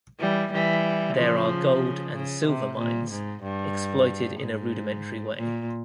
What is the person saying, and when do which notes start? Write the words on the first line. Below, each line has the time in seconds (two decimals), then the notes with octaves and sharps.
There are gold and silver mines, exploited in a rudimentary way.
0.20 E3 G3
0.52 E3 G3
1.17 C#3 F3
2.13 C#3
2.46 C3
2.78 A#2
3.11 G#2
3.43 G2
4.40 G#2
5.36 A#2